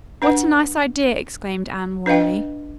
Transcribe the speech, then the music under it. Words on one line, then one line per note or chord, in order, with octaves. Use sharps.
"What a nice idea!" exclaimed Anne warmly.
D4 B4 F#5
D4 B4 D#5 F5 G5